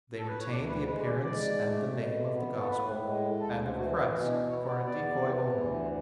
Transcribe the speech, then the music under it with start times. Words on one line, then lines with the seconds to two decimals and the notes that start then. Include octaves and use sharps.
They retain the appearance and the name of the Gospel and of Christ for a decoy only.
0.16 A4
0.28 B4
0.39 C#5
0.50 D2 D5
0.68 B4
0.86 G#3 B4
1.05 D5
1.22 G#2 D5
1.59 A3
1.95 B2
2.32 B3
2.57 A4
2.67 A2 B4
3.04 G#3
3.39 D2 A4
3.75 E3 F#4
4.12 B2 E4
4.30 D4
4.49 B3 C#5
4.66 D5
4.85 E2 D5
5.20 E3
5.57 D2